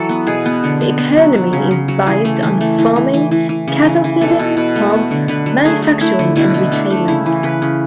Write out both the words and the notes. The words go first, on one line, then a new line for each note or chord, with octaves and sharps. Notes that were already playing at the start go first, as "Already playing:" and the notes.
The economy is based on farming, cattle feeding, hogs, manufacturing and retailing.
Already playing: E3 F#3 A4
B3
B2 G#4
B3
D3
B3
B3
F#3
F#3
C#3
C#3
F#3
E3 G#4
A3
E3
A3
E3
E3
E3
E3
E3
C#3
E3
E3
B2 A4
B2
B2 B4
A3
B3
D3
D3 B4
F#3
A3 G#4
A3
A3 E4
D3
B2 E4
B2
A3 D4
A3
C#3 E4
E3
C#3 B4
C#3